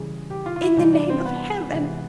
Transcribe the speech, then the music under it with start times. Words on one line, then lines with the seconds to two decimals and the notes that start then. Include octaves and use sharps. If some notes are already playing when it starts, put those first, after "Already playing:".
"In the name of heaven!"
Already playing: C#3 E3 G3 G#4
0.30 G4
0.46 F4
0.56 F4
0.62 E4
0.77 C3 E3 G3 D#4
0.93 D4
1.10 C4
1.25 B3
1.72 C3 E3 G#3